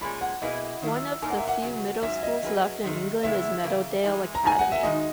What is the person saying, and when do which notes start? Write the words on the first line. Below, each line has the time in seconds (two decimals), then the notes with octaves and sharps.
One of the few middle schools left in England is Meadowdale Academy.
0.01 A#2 G#3 C#4 B5
0.21 F#5
0.42 B2 A#3 E4 G#4 B4 D#5
0.82 D#3 F#3 A#3 E4
1.22 A#2 A#3 D#4 A#4 G#5
1.30 F#5
1.39 E5
1.48 F#5
1.62 C#3 F#3 B3 F#4
2.02 G#2 F#3 C#4 E5
2.23 D#5
2.43 F#3 C#4 G#4 B4
2.83 F#2 D#3 G#3
3.23 E2 C#3 G#3 B3 E4 E5
3.63 C#3 E3 A#3
4.03 E3 G#3 D#4 G#4
4.35 A#5
4.43 C#3 G#3 D#4 G#5
4.59 F#5
4.72 E5
4.83 G#2 D#3 G#3 D#4 F#4 D#5